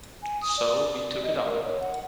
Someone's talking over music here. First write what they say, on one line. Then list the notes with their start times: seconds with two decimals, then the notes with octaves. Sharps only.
So we took it on.
0.22 G#5
0.42 D#6
0.57 D5
1.23 D#5
1.44 A#4
1.63 C#5
1.81 F#5